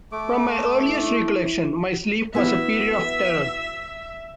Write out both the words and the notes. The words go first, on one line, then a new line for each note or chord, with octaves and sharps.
From my earliest recollection my sleep was a period of terror.
A3 D6
E4
B3 E4 F#4 E5